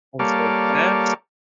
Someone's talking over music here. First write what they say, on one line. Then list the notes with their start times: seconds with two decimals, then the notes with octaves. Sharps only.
And so that's
0.19 G3 A#3 A4 C#5 D5 F5